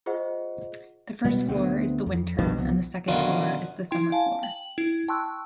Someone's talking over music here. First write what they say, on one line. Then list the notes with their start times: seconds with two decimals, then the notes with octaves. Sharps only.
The first floor is the winter and the second floor is the summer floor.
0.06 F4 G#4 C5 D#5 F#5
1.24 B2 G3 G#3 B3
1.48 D2 B3 C4
2.06 F2
2.39 B1 G2 B2 D#3
2.58 C2 F3 B3
3.08 F#2 B2 D3 D#3 C#4 F4
3.91 E4 G5 C6
4.12 F5 G#5 A5
4.43 G5 F#7
4.78 E4
5.08 G5 A5 C6 C#6 E6 F#6